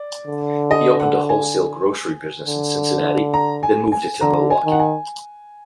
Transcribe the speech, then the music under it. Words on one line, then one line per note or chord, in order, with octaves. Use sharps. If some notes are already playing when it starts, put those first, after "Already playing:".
He opened a wholesale grocery business in Cincinnati, then moved it to Milwaukee.
Already playing: D5
D3
D#5
F#5
G#5
D3
A#5
G#5
G#5
D3 A#5
G#5
D#3
F#5
G#5